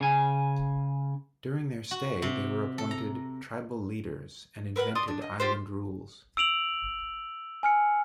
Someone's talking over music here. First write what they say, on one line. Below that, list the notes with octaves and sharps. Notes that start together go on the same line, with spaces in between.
During their stay they were appointed 'tribal leaders' and invented island rules.
C#3 G#5
F#4
C3
A4
A#5
A#4 B4 F5 F#5
D5 C6 D#6
D4
D#5
F4 G4 C5
E6 D7 F7 F#7
G#5 F6 C#7